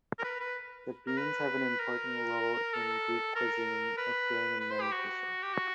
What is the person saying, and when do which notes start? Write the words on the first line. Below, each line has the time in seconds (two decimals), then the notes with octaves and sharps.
The beans have an important role in Greek cuisine, appearing in many dishes.
0.19 A#4
0.24 B4
0.40 B4
1.07 A#4
1.18 B4
1.80 A#4
2.73 A4
3.36 A#4
3.98 B4
4.60 B4
4.71 C5
4.81 G4
4.92 F#4
5.43 G4
5.54 F#4